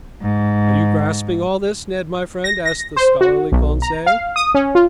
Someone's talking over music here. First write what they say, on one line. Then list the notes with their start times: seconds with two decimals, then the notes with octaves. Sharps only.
"Are you grasping all this, Ned my friend?" asked the scholarly Conseil.
0.22 G#2
2.44 A#6
2.66 A#6
2.96 C5
3.21 F#4
3.52 B1
3.82 A#5
4.06 F5
4.36 D#6
4.55 C#4
4.75 F4